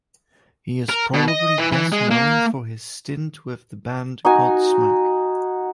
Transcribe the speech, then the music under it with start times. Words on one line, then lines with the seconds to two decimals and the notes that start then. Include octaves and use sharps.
He is probably best known for his stint with the band Godsmack.
0.90 A#4
1.14 B2
1.28 D#5
1.58 E3
1.72 E3
1.92 G#3
2.11 A#3
4.25 D#4 F#4 G#5